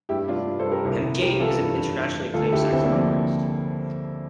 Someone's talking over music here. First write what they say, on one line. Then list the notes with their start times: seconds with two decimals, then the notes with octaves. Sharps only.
Hemke is an internationally acclaimed saxophone artist.
0.09 G2 E4 G4
0.28 G2 D4 F4
0.47 G2
0.59 A4 C5
0.66 G2
0.72 G4 A#4
0.85 C2
1.02 C2
1.21 C2 G4 A#4
1.40 E3 F4 A4
1.60 G2
1.77 G2
1.97 G2
2.16 G2
2.34 D2 F4 A4
2.44 A4
2.52 D2 E4 G4
2.72 D2 C4 E4
2.83 A#3 D4
2.90 F3